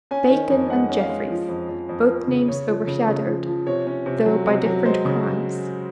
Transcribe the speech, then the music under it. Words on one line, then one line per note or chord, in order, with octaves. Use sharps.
Bacon and Jeffreys! both names overshadowed, though by different crimes.
C#4 G#5
D#3
F2
G#3 F#5
C#4
F5
G#3
F3
F2
F2
F2
F3
C#3
C#3 C#5
F3
C#3
C#3
F3
F3
C3 C#5
C#4
C3
F#3
C3
F#3
G#3 C5
C#3